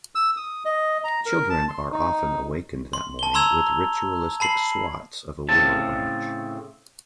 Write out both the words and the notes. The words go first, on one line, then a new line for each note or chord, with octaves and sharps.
Children are often awakened that morning with ritualistic swats of a willow branch.
E6
D#6
D#5
A#5
A#4
A5
C6
D#4
C6
A5 G7
A#5 C6 E6 G#6 F7
A5 B5 C7 F#7
A2 C#3 C4 A5